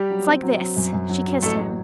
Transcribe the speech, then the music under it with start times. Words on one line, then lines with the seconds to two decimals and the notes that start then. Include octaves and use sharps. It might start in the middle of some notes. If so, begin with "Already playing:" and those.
"It's like this." She kissed him.
Already playing: G3 G4
0.10 F#3
0.27 C4
0.43 F#3
0.60 F#3
0.77 F#2
0.93 F#2
1.09 F#3
1.27 F#3
1.43 A1 A3 A4
1.59 F#3